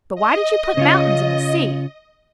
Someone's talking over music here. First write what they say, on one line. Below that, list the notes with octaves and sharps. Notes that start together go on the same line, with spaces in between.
"But why did you put mountains in the sea?"
D#5
C#3 C#4 F4